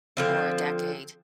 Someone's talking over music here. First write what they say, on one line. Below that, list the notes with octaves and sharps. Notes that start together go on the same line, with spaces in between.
for a decade.
D3 F3 C4